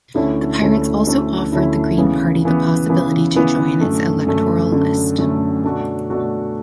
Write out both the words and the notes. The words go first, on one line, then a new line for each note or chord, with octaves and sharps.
The Pirates also offered the Green Party the possibility to join its electoral list.
D2 D3 A3 C#4 E4
D2 D3 A3 C#4 E4
D2 D3 A3 C#4 E4
D2 D3 A3 C#4 E4
C#3 E3 B3
C#3 E3 B3
C#3 E3 B3
C#3 E3 B3
F#2 D3 A3
F#2 D3 A3
F#2 D3 A3
F#2 D3 A3
B2 A3 D4 F#4
B2 A3 D4 F#4